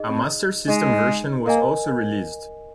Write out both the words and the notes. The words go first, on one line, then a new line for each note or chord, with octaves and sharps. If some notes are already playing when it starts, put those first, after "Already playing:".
A Master System version was also released.
Already playing: D#4 G#4 D#5
C4
G#3 D#4 G#4 D#5
A#3 A#4 D#5 G#5